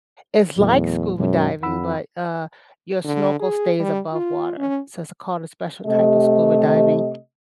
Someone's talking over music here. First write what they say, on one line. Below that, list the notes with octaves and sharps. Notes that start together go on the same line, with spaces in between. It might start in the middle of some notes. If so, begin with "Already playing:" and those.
it's like scuba diving, but, uh, your snorkel stays above water, so it's called a special type of scuba diving.
E2 A#2 F#3 A3
F#2 B2 F#3 G#3
F2 F#5 B5 E6
D3
G#4
G3
F4
C#4
C3 A3 G4 D#5